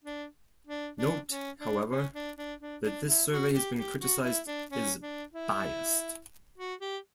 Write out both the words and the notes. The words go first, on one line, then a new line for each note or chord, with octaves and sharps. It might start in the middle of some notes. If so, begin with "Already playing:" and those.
Note, however, that this survey has been criticized as biased.
D4
D4
D4
C#4
D4
C#4
D4
D4
D4
D4
E4
F#4
G4
G4
F#4
E4
D4
C#4
D4
E4
F#4
G4